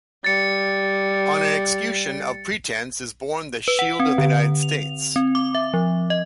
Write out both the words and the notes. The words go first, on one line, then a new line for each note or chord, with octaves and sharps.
On an escutcheon of pretence is borne the shield of the United States.
G3 A6 C#7
B4
F#5
C4
D3
F7
C4
D6
E5
F3
D#5